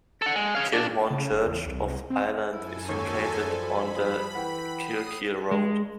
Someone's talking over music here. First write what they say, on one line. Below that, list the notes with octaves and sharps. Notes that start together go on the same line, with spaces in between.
Kilhorne Church of Ireland is located on the Kilkeel road.
A4 F#5
G#3
G#4 F5
D#2 D4
C#3
F#1
E2
C2
C4
F#2 E4 A4 G#5
D#2 G#2 D#3 C#5
F3 D5 B5
G3 G#4
E3 F#5 G5
D#6 C7 D#7
G#3